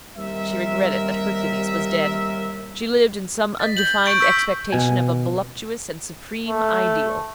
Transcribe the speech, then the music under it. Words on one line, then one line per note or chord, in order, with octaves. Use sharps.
She regretted that Hercules was dead. She lived in some undefined expectation of a voluptuous and supreme ideal.
D#2 G3 C4 A#4 E5
D#5 A6 B6
G6 F#7
C#6 G6 D7
E6 G6 B6
B2 G#5
A3